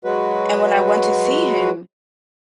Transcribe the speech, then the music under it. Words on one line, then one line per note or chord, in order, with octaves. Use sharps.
And when I went to see him
F#3 G#3 F#4 B4